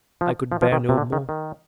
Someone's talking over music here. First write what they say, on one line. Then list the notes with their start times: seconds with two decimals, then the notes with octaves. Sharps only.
I could bear no more.
0.21 F3
0.52 F3
0.62 F3
0.72 D#3
0.89 C3
0.98 D3
1.13 D#3
1.29 D#3